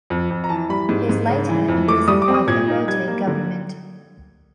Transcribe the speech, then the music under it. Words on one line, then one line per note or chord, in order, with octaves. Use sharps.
He was later imprisoned by the Obote government.
F2
F2
A#5
E3 A5
G3 B5
G#2
G#2
C#3
E3
F2
A3 D6
G3 D#6
D6
C4
D#6
A#2 G#6
D#4
G3 G#6
A#3
D3